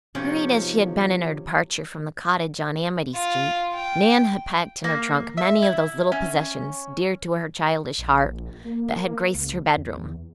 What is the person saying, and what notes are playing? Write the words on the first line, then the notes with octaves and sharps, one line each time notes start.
Hurried as she had been her departure from the cottage on Amity Street, Nan had packed in her trunk many of those little possessions, dear to her childish heart, that had graced her bedroom.
B1 C3 F3 C#4
F4
G5
A#3
E5
E4
C#4
A#1
A#3
C#2
E2